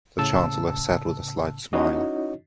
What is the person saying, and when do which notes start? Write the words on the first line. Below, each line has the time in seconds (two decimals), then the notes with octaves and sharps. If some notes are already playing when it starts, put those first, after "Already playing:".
The Chancellor said with a slight smile.
0.19 A2 C#3 A5 E6
1.73 C#4 D#4 E4 F#4 C#5 D#5